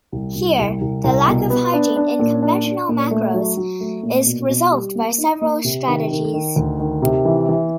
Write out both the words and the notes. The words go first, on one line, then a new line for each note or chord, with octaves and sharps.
Here the lack of hygiene in conventional macros is resolved by several strategies.
C2
C2
C2
C2
C2
B2
B3
D4
D4
A#2
D4
D4
A#2
A3
F#3
F#3
A3
A#2
B2
B2
G3
A#3
D#4
A#3
C3
D#3
D#3
D#3
D2
D#3
C3
E3
E3